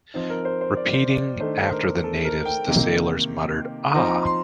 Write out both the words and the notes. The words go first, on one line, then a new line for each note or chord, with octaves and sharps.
Repeating after the natives, the sailors muttered, Ah!
F3 C4 D#4
A#4
C5
C5
D5
C5
D5
D#3 A3 D4 C5
C5
A#4
A4
A#4
G5
C3 D#3 A#3
F3 C4 D#4 A#5
C6